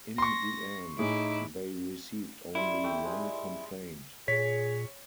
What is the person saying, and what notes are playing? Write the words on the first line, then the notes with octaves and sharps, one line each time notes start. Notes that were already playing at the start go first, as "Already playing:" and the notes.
In the end they received only one complaint.
C6 C#6 A#6
A2 D#4 E4 G#4 D6
G3 E4 C6
A3 G4 G5
G3 G#3
A#2 G#4 C#5 B6